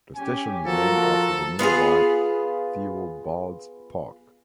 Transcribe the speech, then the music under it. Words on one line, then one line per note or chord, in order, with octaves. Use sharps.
The station is named after the nearby Theobalds Park.
C#4 G4 G#5
F3 F#4 A4 A#4
B3 F4 G4 G#4